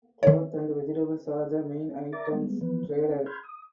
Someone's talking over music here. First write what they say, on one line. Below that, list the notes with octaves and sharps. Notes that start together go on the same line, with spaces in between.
Cloth and vegetables are the main items traded.
D#3 C#5
A#4 D5 E5 A#5 D6 A6
G3 G#3 B3
E3 F3 B3 B4
C#4
B5 C6 F6 G6 G#6
D#6